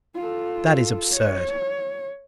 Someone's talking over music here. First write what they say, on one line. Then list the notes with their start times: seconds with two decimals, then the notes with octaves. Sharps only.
"That is absurd."
0.15 F4 A4
1.13 C#5